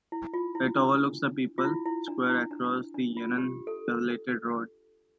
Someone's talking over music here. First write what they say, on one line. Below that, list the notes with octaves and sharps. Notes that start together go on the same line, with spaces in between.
It overlooks the People's Square across the Yan'an Elevated Road.
E4
F4
E4
D4
F4
E4
E4
D4
E4
D4
D4
F4
G4
A4